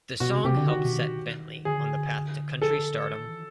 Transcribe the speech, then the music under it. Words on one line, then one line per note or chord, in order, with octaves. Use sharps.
The song helped set Bentley on the path to country stardom.
B2 F#4
C3
C3 G4
D3
D#3 F#4
B2
D#3
D3 G#4
A4
D#3
E3